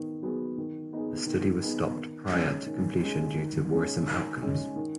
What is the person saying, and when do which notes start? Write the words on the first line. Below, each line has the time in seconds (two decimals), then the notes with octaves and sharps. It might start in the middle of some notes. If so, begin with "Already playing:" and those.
The study was stopped prior to completion due to worrisome outcomes.
Already playing: D#3 B3
0.22 F#3 B3 G#4
0.58 D#3
0.93 B3 D#4 G#4
1.27 D#3
1.62 B3 D#4 G#4
1.97 D#3
2.32 G#3 C#4
2.66 D#3
3.01 G#3 C#4
3.36 D#3
3.72 G#3 C#4 G#4
4.07 D#3
4.42 G#3 C#4 G#4
4.76 D#3